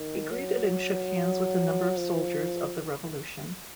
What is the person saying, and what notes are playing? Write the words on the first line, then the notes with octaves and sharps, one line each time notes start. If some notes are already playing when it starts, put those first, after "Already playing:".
He greeted and shook hands with a number of soldiers of the Revolution.
Already playing: D#3
F#3
F3